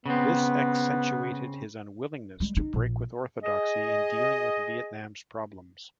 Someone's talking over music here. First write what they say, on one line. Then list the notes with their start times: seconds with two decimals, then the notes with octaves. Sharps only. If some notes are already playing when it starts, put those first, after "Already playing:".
This accentuated his unwillingness to break with orthodoxy in dealing with Vietnam's problems.
0.06 C#3 B3 C4
2.40 G3 G#3
2.57 D#4
2.74 A#1
3.43 G#4 D#5